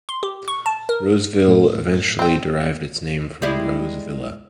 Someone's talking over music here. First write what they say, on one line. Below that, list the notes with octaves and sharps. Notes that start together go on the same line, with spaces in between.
Roseville eventually derived its name from "Rose Villa".
C6
G4
C#6
A5
A#4
A2
C4 G5
G3 G#3 E4